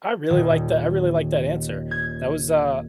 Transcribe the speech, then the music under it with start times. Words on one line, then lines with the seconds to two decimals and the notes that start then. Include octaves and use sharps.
I really like that I really like that answer. That was a
0.30 D#1
1.91 G#6